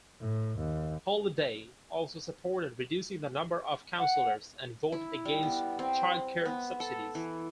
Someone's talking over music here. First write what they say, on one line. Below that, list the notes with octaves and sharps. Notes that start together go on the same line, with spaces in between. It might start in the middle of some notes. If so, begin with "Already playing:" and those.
Holyday also supported reducing the number of councillors, and voted against childcare subsidies.
A2
D#2
F#5
E4
G3
B3
C4
B3
A4
E3